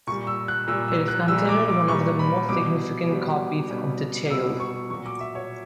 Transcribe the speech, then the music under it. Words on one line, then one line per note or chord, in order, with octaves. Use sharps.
It is considered one of the most significant copies of the "Tales".
A#2 G3 C#6
E6
F#6
A#2 G3 E6
E6
F#6
A#2 G3 E6
D6
D6
A#2 G3 C#6
B5
B2 G3 D6
B2 G3
B2 G3
B2 G3 E6
C#6
A#2 F#3 C#6
D6
E5
C#5